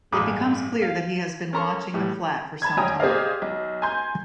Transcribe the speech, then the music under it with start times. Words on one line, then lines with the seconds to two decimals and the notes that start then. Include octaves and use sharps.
It becomes clear that he has been watching the flat for some time.
0.12 A1 G2 G#4 B5 D6 D#6
0.82 F5
1.53 C#4 A4 A#4 A#5 C6 C#6
1.94 A2 E3 G3
2.62 A5 B5 G#6
2.77 F1 F#3 G5 G#5 A#5 D#6
3.00 G4 G#4 C5 D5 D#5 F5
3.42 B1
3.82 G#5 A#5 C6 G6